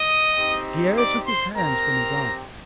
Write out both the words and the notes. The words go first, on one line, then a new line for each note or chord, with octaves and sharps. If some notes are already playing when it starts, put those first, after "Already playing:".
Pierre took his hands from his eyes.
Already playing: D#5 D#6
C4 D#4 G4
D5 D6
C5 C6
C4 G4 A#4 A#5